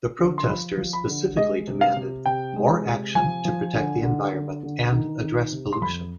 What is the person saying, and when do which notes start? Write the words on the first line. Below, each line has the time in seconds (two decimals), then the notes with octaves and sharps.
The protesters specifically demanded more action to protect the environment and address pollution.
0.19 D3
0.38 C6
0.48 F3 B5
0.77 F3
0.93 B5
1.08 D3
1.37 G#3 D#5
1.67 C3
1.81 F5
1.96 C3
2.26 C3 G5
2.56 G#3
2.85 C3
3.15 F3 G#5
3.45 F3
3.74 D3
4.03 D3
4.33 D3
4.63 D3
4.92 D#3
5.22 D#3
5.52 C3
5.73 C6
5.81 F2 B5